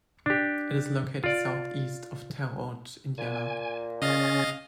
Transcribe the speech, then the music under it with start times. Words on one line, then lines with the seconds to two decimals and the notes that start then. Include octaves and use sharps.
It is located southeast of Terre Haute, Indiana.
0.26 D4 G4
1.24 F4 D5
3.18 A#2 G#5
4.02 C#3 C#4 D#5 F5 A6